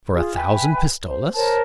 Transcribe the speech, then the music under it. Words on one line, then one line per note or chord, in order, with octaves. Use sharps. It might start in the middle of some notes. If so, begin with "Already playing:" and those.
"For a thousand pistoles?"
F4 G#4
B4 E5 G5 G#5
C5
A#4 C5 C#5 A5